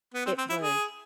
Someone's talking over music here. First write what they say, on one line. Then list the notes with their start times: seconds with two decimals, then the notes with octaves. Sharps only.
it was
0.14 B3
0.26 C4
0.38 C4
0.50 E4
0.61 G#4